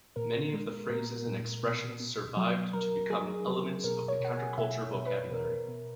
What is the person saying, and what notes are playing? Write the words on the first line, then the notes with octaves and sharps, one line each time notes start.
Many of the phrases and expressions survived to become elements of the counterculture vocabulary.
A#2 A#4
G#3
A#2 A#4
A#2
B2
B2
F#3
F#3 A#4
F#3 G#4
F#3
B2 A#4
C#5
B2 F#5
G#5
B2 E5
C#5
B2
B4
B2 A#4
B2